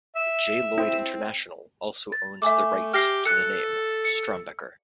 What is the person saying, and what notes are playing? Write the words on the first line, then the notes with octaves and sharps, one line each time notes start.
J. Lloyd International also owns the rights to the name StromBecKer.
E5
C4 E4
A6
A3 E5 G#5 D6
G4 F6 A#6 C7
A4 F#6 C#7
C#7